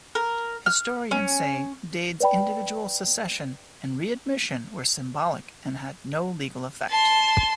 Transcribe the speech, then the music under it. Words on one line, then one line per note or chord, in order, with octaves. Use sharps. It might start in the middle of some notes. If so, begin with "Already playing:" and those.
Historians say Dade's individual secession and readmission were symbolic and had no legal effect.
A#4
F6
C#4
B4 D5 G5 B5
A5 C6